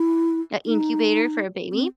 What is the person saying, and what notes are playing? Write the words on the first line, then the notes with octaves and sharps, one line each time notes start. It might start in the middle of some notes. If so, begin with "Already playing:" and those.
an incubator for a baby,
Already playing: E4
D#4
C4